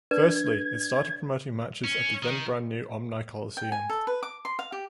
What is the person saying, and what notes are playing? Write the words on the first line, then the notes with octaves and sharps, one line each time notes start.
Firstly, it started promoting matches at the then-brand-new Omni Coliseum.
D4 B4 G#6
C#4
D#3
G5
G#5
A4
B4
D6
C6
F5
G4